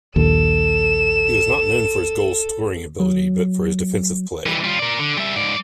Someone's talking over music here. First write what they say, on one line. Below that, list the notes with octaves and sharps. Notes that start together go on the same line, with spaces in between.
He was not known for his goal scoring ability, but for his defensive play.
A#1 D#2 A4 E7
F#3
E3 G3
G3 F4
A#4 D5
D3
G3 E5
G#2 D5